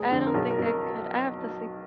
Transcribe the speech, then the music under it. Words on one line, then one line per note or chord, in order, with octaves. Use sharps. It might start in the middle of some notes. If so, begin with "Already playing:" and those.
I don't think I could. I have to sleep
Already playing: F1 G#4
F2 D3
A#4
B1 G#4
A#4
B2 F#3
A#4